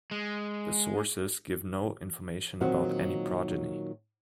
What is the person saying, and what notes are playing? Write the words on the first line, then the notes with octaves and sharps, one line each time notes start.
The sources give no information about any progeny.
G#3
A#2 D#3 F#3 C4 F#4